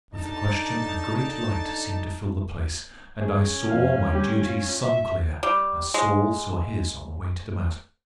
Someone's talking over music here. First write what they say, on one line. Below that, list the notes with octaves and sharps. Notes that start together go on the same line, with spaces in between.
And with the question a great light seemed to fill the place, and I saw my duty sun-clear, as Saul saw his on the way to Damascus.
D3 D#4 A5
C#4 G#4
F2 F5 F6
D3 G3 G4
F4
E5
G3
G#3